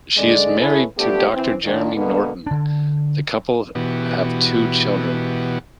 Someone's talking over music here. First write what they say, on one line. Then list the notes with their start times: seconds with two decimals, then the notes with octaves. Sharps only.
She is married to Doctor Jeremy Norton; the couple have two children.
0.17 D3 G#3 D5
0.59 C#4 E4 G#4 A4 B4
0.97 F3 A3 B3 D4 G4
1.34 E3 C4
1.64 A#2 D#3 D4
1.94 B2 D3 G#3 A#3 B3
2.46 D3 D4
3.75 B2 E3 B3 F#4 G4